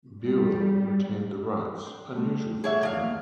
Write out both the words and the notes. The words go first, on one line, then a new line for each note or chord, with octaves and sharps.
Buell retained the rights, unusual for the time.
G3
D4 G5 C6
G3 A3
G#4 C#5 D5 E5 F#5
F3 D#5 F5
A#3